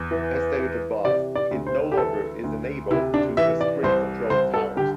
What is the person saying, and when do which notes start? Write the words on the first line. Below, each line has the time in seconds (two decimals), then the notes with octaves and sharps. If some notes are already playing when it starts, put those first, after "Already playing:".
As stated above, it no longer is enabled on the Sprint-controlled towers.
Already playing: E2
0.11 E3
0.58 E3
1.05 C3 D5
1.35 D5
1.51 D2
1.67 C5
1.92 G4
1.97 E3 A4
2.44 D2
2.91 C3 E4
3.14 D4
3.37 E3 E5
3.61 D5
3.83 C2 C5
4.30 C2 C5
4.54 A4
4.77 D3 G4